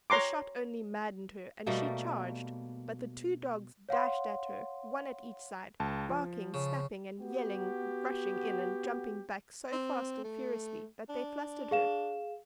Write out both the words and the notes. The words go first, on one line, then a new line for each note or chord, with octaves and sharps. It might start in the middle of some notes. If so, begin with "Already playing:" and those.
The shot only maddened her, and she charged; but the two dogs dashed at her, one at each side, barking, snapping and yelling, rushing in and jumping back so fast and furiously that they flustered her.
C#5 A#5 C6 D6
B2 G3 A3 A#3
C#5 F5 F#5 C6
C#2 A5
F3
C#3
B3 F#4 G4
C4
A3
D4
G#4 F5 E7